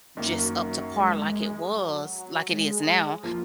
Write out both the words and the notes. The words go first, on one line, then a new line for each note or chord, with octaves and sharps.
just up to par like it was like it is now.
F#2 D#3 F#3 A#3
F#3
G#3
F#3
F#3
G#3
F3 A#3 F4